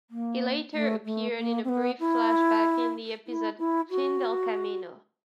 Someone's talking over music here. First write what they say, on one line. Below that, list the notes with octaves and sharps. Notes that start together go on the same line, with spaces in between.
He later appeared in a brief flashback in the episode Fin Del Camino.
A#3
A3
A3
A#3
C4
B3
E4
E4
E4
F#4